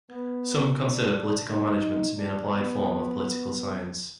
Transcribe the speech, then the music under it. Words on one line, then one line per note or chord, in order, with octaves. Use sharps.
Some consider political management to be an applied form of political science.
B3
D4
D#4
D4
B3